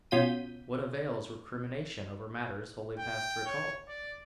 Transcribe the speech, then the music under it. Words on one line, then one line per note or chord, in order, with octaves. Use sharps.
What avails recrimination over matters wholly past recall?
B2 C#4 F4 G6 B6 D#7
G5
C#5
D5